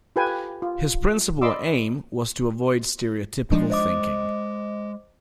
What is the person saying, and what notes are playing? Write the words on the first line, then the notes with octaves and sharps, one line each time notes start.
His principal aim was to avoid stereotypical thinking.
F4 G4 A4 B4 G5 G#5
F4
D5 D#5 B5 C6 D6 E6
F3 G#3 D4 D#4
C5 D#5 D6